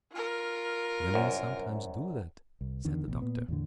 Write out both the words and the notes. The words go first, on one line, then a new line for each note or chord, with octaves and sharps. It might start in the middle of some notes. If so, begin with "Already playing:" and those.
"Women sometimes do that," said the Doctor.
F4 A#4
C2 F#2
C2
E2 D3 D#3
A1 B2
A#2 B3
E2 A2 D3